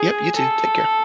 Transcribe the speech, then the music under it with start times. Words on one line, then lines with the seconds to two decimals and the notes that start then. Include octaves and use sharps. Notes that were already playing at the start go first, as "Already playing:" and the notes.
Yep. You too. Take care.
Already playing: G#4
0.37 A4